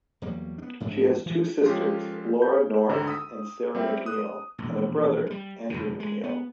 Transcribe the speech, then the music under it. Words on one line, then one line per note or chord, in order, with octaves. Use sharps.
She has two sisters, Laura Norris and Sarah McNeil, and a brother, Andrew McNeil.
E2 F#3 G3 A#3
B3 D4
A1 G#2 F3 D4
E3
F3 G#3 C#4 F4 G4 A4
G6
G#1 D2 D3 A#5
D#6 E6 B6
G3 C4 E5
D#6 F#6
E1 A#1
G3 G#3
F1 F#2 D3
G#3
B3